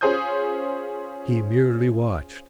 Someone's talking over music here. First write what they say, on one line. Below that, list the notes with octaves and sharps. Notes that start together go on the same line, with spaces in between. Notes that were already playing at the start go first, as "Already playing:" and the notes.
He merely watched.
C#4 F4 G#4 C5 D#6 G6